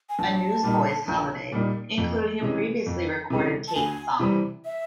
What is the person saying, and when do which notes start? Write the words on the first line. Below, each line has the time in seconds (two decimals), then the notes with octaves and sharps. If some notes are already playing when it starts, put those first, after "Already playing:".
A Newsboys Holiday, including a previously recorded Tait song.
0.09 G#5
0.19 A#1 A5
0.63 A#2 G3 A#3 D#4
1.08 A#1
1.52 A#2 G3 A#3 D#4
1.98 F2
2.42 C3 E3 G#3 C#4
2.86 F2
3.30 C3 E3 G#3 C#4
3.68 A5
3.75 D2 G#5
4.19 C3 E3 G3 C4
4.65 E5